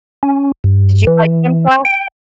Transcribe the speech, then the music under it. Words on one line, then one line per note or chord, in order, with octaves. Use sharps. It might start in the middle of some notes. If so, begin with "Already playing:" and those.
Did you like gym class?
C#4
G2
E3
G5